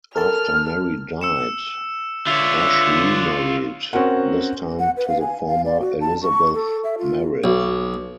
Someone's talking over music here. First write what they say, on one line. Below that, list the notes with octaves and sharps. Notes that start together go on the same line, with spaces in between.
After Mary died, Ashe remarried, this time to the former Elizabeth Merrik.
A4 A#4 A5 F6
E6 C#7 E7
D3 F4 C#5 E5
C4 C#4 F#4 A#4 F#5
F#5
B4
F5
G#5
F5
D5
F#4
A5
C#6
A4
E5
F4
B1